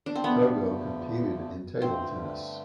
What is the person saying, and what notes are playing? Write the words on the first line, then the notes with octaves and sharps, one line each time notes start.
Togo competed in table tennis.
D4
C4
E2 D3 F3 A3 B3
G2 D3 A3 C4